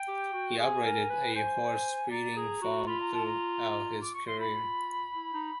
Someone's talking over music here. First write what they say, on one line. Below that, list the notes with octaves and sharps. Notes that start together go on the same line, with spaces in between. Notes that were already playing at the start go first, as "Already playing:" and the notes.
He operated a horse-breeding farm throughout his career.
Already playing: G5
G4
F#4
G#4 G#5
A#4
B4
C5 G#5
D5 A#5
G#4
F#4
F4 B5
A#5
A5
A#5
D6
C#6
C6
F4 B5
E4
D#4